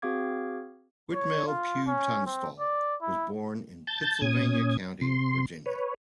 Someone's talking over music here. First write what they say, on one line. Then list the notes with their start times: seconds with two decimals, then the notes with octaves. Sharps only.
Whitmell Pugh Tunstall was born in Pittsylvania County, Virginia.
0.02 C4 F#4 G#4 F5 D6 G#6
1.14 C#5
1.48 F4
1.87 C#4
2.26 C4
2.60 D5
3.01 E4
3.87 A5 G6 A6
4.22 A#2 C#4 D#6 G#6
5.01 C3 C6
5.66 B4 C#5